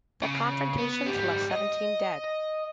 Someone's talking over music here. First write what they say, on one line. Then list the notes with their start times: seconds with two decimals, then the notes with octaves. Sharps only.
The confrontations left seventeen dead.
0.23 C#3
0.78 B3
1.06 G#2 G3
1.51 D#5